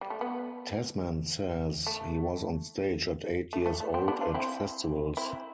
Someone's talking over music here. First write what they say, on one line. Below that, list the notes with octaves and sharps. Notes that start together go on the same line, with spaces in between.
Tasman says he was on stage at eight years old at festivals.
G3
A3
B3
A3
A3
A3
A3
C4
B3 D4
D4 F4
C4 E4
C4 E4